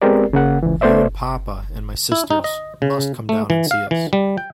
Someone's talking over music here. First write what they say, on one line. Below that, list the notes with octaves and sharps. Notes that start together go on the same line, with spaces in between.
You and papa, and my sisters, must come down and see us.
G#3 B3 C4 G4 A#4 D5
C#3 A#3 F#5
C#2 E3
A3 B3 C5 D5 E5
E4
D#4
D#5
C#3
A3
E3
F5
E3
G3
G5